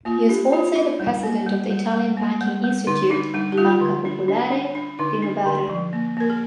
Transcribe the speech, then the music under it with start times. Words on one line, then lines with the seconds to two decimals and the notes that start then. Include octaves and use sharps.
He was also the president of the Italian banking institute Banca Popolare di Novara.
0.05 A#3 F4
0.29 D4 G4
0.52 D4 F4
0.75 D4 D#4
1.00 G3
1.23 A#3
1.46 G3
1.70 G3
1.93 G3
2.17 A#3
2.41 G3
2.64 G3
2.87 D3 D#4
3.10 D4 D#4
3.34 G3 D#4
3.52 G4
3.58 G3 F4
3.81 D3
4.05 D4
4.28 D4
4.51 D4
4.75 D4
4.99 D3 D#4
5.22 D4
5.46 D3
5.70 F3
5.93 A#3
6.17 A#3 A#4
6.30 G#4